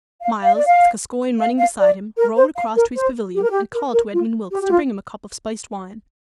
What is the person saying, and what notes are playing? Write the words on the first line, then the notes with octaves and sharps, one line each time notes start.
Myles, with Gascoyne running beside him, rode across to his pavilion, and called to Edmund Wilkes to bring him a cup of spiced wine.
F5
F5
D5
F5
F5
F5
D5
A#4
C5
F5
A#4
C5
G4
A#4
G4
A#4
A#4
F4
G4
G4
F4